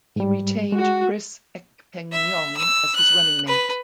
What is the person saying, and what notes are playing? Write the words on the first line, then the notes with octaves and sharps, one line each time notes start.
He retained Chris Ekpenyong as his running mate.
G#2 G3
G#3 F#4
E5
E6
F#6
B4